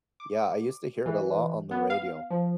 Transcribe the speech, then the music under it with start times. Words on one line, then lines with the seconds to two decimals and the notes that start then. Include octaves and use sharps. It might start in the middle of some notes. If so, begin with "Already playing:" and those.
Yeah, I used to hear it a lot on the radio,
0.20 D6
1.06 E3
1.71 B3
1.90 F5
2.30 F3